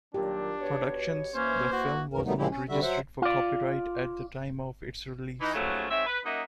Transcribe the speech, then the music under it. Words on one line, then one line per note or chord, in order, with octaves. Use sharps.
Productions, the film was not registered for copyright at the time of its release.
A#2 D#3 F#3 D4 G4
B2 C#5
E3 A#3 C#4 C5
F#4
D2 G#2 E3 A#4
D#3 F#3 G3 A3 B3 D#4
A#2 C#3 F3 G#3 E4 G4
C#4
D3 G3 F#4 E5
F#3 C5 E5 F#5
F4 D5
E3 D#4
D#2 C#3 F3 F#3 A3
G#2 C4 C#5 E5
B4
F#2 A#3 D#4 D#5 E5 F#5